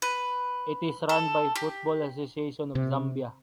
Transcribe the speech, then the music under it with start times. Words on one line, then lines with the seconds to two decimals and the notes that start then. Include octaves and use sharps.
It is run by the Football association of Zambia.
0.02 B4
1.09 A4
1.55 G4
2.75 C3